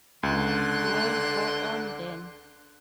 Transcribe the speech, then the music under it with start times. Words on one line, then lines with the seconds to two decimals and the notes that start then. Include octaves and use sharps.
Well, go on then!
0.23 C#2 D3 C6 F#6